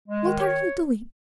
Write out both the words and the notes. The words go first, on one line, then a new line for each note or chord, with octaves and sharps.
"What are you doing?"
G#3
D#3
C#5